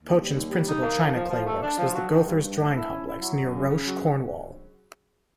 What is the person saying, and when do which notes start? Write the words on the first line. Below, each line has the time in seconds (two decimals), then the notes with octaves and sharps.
Pochin's principal china clay works was the Gothers drying complex, near Roche, Cornwall.
0.03 D#2
0.19 G3
0.35 D#2
0.50 G3
0.67 D#4
0.83 A#3
0.98 F3
1.15 F3
1.30 F3
1.46 A3
1.62 D4
1.78 F3
1.94 F#3
2.10 D#3
2.26 G2
2.42 G2
2.58 A3
2.74 E4
2.90 C#4
3.06 E4
3.22 F#3
3.38 F#2
3.54 C#3
3.70 C#3
3.86 F#3